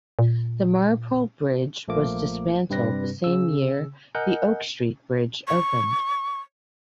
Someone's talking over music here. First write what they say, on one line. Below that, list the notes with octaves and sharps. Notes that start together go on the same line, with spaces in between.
The Marpole Bridge was dismantled the same year the Oak Street Bridge opened.
A#2
A#1 F3 A3 A#3 D6
G2 C3 G3 C4 B4 A#6
C#3 E6
A#4 D#5 F#5 G#5 F#6 G6
C#6